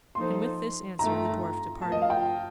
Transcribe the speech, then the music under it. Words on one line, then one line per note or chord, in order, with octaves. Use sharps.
And with this answer the dwarf departed.
F3 A#3 D#4 A4 C5 C6
G2 D#3 A3 A#5
A2 F3 A#3 A5
D#5
F5
G5